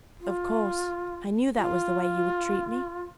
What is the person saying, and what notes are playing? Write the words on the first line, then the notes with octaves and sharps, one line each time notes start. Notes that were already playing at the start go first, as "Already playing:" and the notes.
"Of course; I knew that was the way you would treat me."
F4
F4